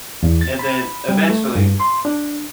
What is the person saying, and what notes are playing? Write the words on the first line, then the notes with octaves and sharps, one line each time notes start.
and then, eventually,
E2
A6
B5
G3
A3
G2
C6
D4